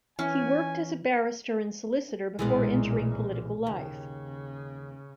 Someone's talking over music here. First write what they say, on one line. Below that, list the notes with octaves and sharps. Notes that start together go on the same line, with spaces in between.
He worked as a barrister and solicitor before entering political life.
E3 C#4 G#5
B1 A#2 E3 G#3 B3
D#2 C#3